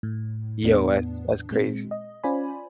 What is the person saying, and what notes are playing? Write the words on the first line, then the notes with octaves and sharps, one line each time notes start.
yo, that's that's crazy.
A2
E2 A2 B3 D4
A#2 G#3 C4
D#5
C#4 F4 C5 D5 G#5 B5